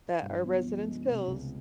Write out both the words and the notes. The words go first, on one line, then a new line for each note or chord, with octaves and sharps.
that our residents' pills
G2
G1
F3
G#3
C3
C#2